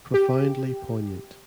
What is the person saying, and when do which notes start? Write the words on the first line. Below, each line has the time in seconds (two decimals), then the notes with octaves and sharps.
Profoundly poignant.
0.14 G4